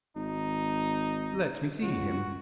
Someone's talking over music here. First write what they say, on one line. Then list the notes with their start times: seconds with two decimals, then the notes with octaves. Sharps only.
"Let me see him."
0.16 G#1 D#4
1.82 C#2 F#4